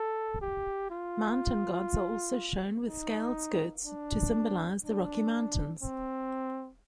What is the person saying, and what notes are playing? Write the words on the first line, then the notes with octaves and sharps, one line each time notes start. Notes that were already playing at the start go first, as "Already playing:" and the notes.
Mountain gods are also shown with scaled skirts to symbolise the rocky mountains.
Already playing: A4
G4
F4
D#4
D4
D4
C4